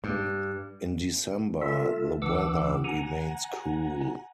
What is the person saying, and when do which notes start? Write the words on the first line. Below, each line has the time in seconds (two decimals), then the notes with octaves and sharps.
In December, the weather remains cool.
0.04 G2
1.61 F4 A4 E5
2.22 D2 E3 D4 F#5 D6 E6
2.84 F#5 G#5 A#5